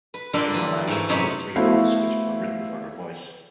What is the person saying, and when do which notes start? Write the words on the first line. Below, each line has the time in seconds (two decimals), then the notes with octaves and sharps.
In Milan she created three roles which were written for her voice.
0.14 B4
0.33 D3 G3 A#3 F4 A4 B4
0.54 E3
0.88 G#2 A3 E4
1.09 F#2 C3 D#4 C#5 B5
1.56 A3 B3 E4 F#4 C5 F5